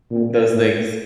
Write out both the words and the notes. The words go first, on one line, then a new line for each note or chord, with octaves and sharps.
Those things.
A#2
A2